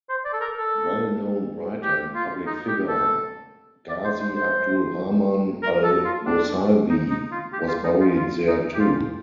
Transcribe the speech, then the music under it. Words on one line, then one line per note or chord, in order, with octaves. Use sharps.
Well-known writer and public-figure Ghazi Abdul Rahman Al Gosaibi was buried there, too.
C5
D5
A4
A#4
A4
G4
F4
D#4
G4
A4
D5
C5
C5
C5
A#4
A4
F4
D4
D#4
D#4
F4
G4
F4
D#4
F4
F4
D#4
G4
F4